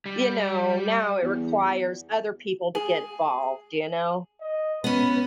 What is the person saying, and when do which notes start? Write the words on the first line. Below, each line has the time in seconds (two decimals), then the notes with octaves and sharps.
you know now it requires other people to get involved, d you know?
0.06 G3
1.22 E2
2.75 G#4
4.40 D#5
4.84 B3 C#4 B4